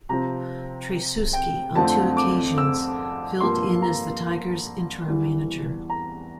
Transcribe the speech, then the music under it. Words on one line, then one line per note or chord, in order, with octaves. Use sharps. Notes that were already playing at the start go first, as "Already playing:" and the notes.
Tracewski, on two occasions, filled in as the Tigers' interim manager.
C3 F3 C4 A#5
G5
F2 D3 F3 A3 C4 A5
D6
E6
G2 F3 A#3 C6
A#5
E2 E3 G3
A#5